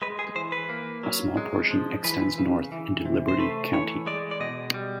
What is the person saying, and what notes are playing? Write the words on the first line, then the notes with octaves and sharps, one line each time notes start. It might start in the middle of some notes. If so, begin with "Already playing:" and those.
A small portion extends north into Liberty County.
G#3 B4
G#4
E3 C5
B4
A#3
F#3
G#3
F3
E3 B4
C#3
E3
C3
C5
A3 B4
E3 C#5
G#3 D5
D5
B2 D#5
G3